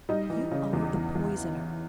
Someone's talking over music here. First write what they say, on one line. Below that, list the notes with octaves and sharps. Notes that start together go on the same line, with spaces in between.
"You are a poisoner."
G3 D#4 D#5
E3
C#3
E2
E2
E2